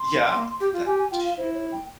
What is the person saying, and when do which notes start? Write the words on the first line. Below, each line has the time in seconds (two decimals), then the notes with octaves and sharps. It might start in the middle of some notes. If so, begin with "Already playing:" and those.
Yeah, that too.
Already playing: C6
0.35 A#3
0.60 G4
0.73 F4
0.86 G4 G#5
0.98 G#5
1.11 F4 G5
1.24 F5
1.37 E4 C5
1.54 C#5
1.72 G5